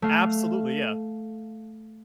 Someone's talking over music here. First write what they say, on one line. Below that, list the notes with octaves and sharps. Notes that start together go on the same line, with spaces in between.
Absolutely, yeah.
A3 F5